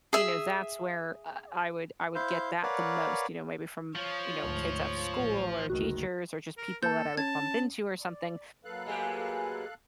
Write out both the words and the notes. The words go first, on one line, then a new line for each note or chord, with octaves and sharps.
You know, that's where, uh, I would I would get that the most, you know, maybe from, you know, kids at school or teachers or just people that I would bump into or something.
G#4 E5
E4 C5 F5 G6
A#4 B4 C#5 D5 F5 F#5
F3 C#5
D2 G#2
A1
F#1 D2 D#3 F#4
A#4
A#3 A4 A5 G6
C#4 A5 G#6
D5
F#3 A#3 A4 B4 F5 F#6
G#3 A3 G4 G#5